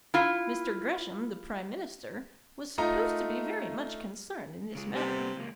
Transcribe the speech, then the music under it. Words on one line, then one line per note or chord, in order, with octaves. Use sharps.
Mr. Gresham, the Prime Minister, was supposed to be very much concerned in this matter.
E4 F4
A3 D#4 F4 D#5 A#5
C#3 G#3
C3 G3 B3
C#2 A#3